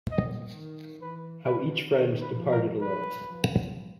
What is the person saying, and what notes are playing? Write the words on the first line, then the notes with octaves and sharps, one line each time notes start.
How each friend departed alone.
A#2 D#5
D#3
E3 B4
D3 B4
D#3 A#4
B4
F3
A#4
B4
F3